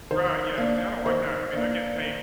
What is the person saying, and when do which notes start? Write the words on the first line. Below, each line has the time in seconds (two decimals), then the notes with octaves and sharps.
Right, yeah. See, I don't like that. I mean, they're getting paid,
0.11 D#3 C5
0.58 A#3 D4
1.05 D#3 C5
1.53 A#3 D4
2.00 D#3